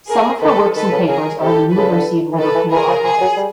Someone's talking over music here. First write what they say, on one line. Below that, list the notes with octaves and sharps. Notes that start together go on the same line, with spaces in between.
Some of her works and papers are in the University of Liverpool archives.
G#4 A#4
D#3 A4 B4
D#3 A4 B4
C#3
C#3 G#4 A#4
C3 G4 A4
C#3 A4 B4
D3
E3
D#3 A4 B4
E3
E3 G#4 A#4
F3
F3 G#4
F#3
G3